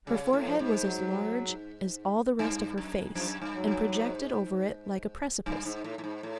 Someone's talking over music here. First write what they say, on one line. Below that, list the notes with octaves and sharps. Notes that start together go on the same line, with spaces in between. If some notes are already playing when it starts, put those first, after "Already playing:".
Her forehead was as large as all the rest of her face, and projected over it like a precipice.
C#3 G3
A2
F3
G#2
F#3
G2
F#2
F#2 F3
G2
F#3
G2
G#2
G2
G#2
A2
A2
G#2
A2